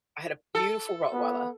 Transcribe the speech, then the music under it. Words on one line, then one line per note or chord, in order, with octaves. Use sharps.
I had a beautiful Rottweiler
A4
B3